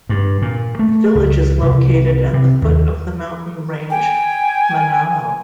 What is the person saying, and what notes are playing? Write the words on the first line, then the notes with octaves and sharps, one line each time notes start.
The village is located at the foot of the mountain range Mainalo.
G2
A#2
A3
C#2
C2
C3
D#2
G5 G#5